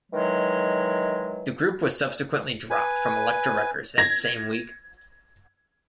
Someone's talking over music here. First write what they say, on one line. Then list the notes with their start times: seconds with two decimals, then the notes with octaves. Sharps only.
The group was subsequently dropped from Elektra Records that same week.
0.12 D#3 E3 F#3 G#3
2.70 B4 G#5
3.98 G#6 A#6